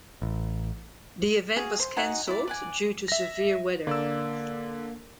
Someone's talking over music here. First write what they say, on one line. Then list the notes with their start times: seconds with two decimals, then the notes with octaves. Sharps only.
The event was cancelled due to severe weather.
0.22 A1
1.57 F#4 G#4 F5
1.79 C5
1.97 D#4 F#4 F#5 G#5
2.27 E4 D5
2.47 D5 F#5 G#5
3.08 E5 A#6
3.87 D3 A#3 D5 E6